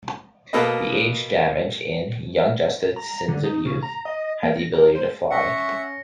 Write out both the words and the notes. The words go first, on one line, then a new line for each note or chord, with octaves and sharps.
The aged Damage in "Young Justice: Sins of Youth" had the ability to fly.
B2 A#3 A4 B4 D#5
A#5
D3
D#4
C#3
A#5
D#5
A#3
A#6
A#4
C5
C#4 E5 F#5 C#6 A#6 C#7